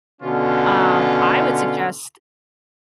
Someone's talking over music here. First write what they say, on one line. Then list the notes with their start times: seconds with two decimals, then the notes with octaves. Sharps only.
um, I would suggest,
0.22 B2 D3 C#4 F4